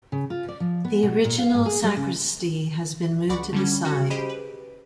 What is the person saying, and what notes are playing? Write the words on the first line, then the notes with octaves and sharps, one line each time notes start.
The original sacristy has been moved to the side.
C#3
F4
D5
F3
B3
B2
A#2
F5
G#2
G#4
G3
C#3
C#2 D5 F#5 B5 C#6 D6
D3 G3 C#4
C#4 F#4
G4 G#4 C5 D#5 B5 D#7
B4